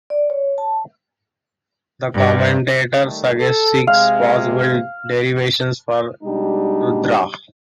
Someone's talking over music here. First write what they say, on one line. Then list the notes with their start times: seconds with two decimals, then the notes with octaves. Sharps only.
The commentator suggests six possible derivations for "rudra".
0.10 D5
0.30 C#5
0.58 A5
2.15 G2
3.03 D#3 G3 A3
3.38 A4
3.87 C3 G#3 F5
6.23 B2 G3 G#3 D4 D#4 G4